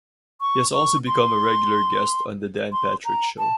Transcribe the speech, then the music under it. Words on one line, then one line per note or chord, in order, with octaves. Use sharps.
He has also become a regular guest on The Dan Patrick Show.
C#6
C#6
C6
C6
A#5
A5